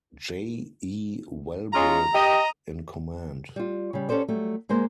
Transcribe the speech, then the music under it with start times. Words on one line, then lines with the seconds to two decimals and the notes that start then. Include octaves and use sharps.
J. E. Wellbrook in command.
1.73 G#3 C#4 F4 A#5
2.14 G4 D#5
3.56 G3 F4
3.93 C#3 G3
4.09 C#4 G4 A4 C5 D5
4.28 F#3 G3 A3
4.69 D2 G#3 A#3 A#4 C5